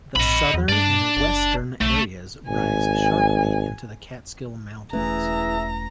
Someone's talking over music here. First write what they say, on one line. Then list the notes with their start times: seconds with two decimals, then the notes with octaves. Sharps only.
The southern and western areas rise sharply into the Catskill Mountains.
0.16 A#1 D#5 B5
0.54 E2
0.69 G2 D4 D5
1.17 F#1
1.81 B1 A3
2.49 G#1 G#5
4.93 E1 E3 A3 C#4 G#4 E5 A#5